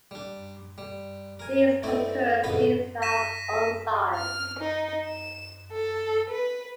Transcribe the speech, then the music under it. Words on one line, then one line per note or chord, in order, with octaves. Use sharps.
These concurrencies are unsigned.
G3 D4
G3
A#4 G#5
A3 C4 E4 D5 D#5
F2 A2 C#3 B3 D#5 B5
A#6 B6 D#7 E7
F6
D#4
E7
A4
B4